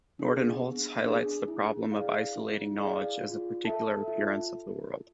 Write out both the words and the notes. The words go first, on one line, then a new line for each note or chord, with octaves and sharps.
Nordenholz highlights the problem of isolating knowledge as a particular appearance of the world.
D4 G#4
B3
D4 G#4
E4
G#4 D5 F5
E4
G#4 D5 F5
F4
A4 E5 A5
F4